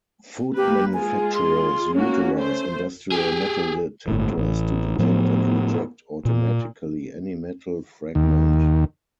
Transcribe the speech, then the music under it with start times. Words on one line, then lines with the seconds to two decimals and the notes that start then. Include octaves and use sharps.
Food manufacturers utilize industrial metal detectors to detect and reject automatically any metal fragment.
0.57 A#3 G4 B4
0.94 G#3 F4 G#4 G#5
1.35 C6
1.94 A#3 C#4 F#4
2.39 A3 C5
3.12 G4 G#4
4.08 G1 A2
4.38 A1
4.99 A2 F3 B3
6.25 A#2
8.15 D#2